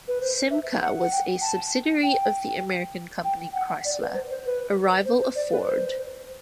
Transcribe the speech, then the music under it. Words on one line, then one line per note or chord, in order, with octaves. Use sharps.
Simca was a subsidiary of the American company Chrysler, a rival of Ford.
B4
C5
E5
F#5
F#5
G5
A5
G5
G5
F#5
D5
B4
C5
C5
B4
C5
C5
D5
B4
C5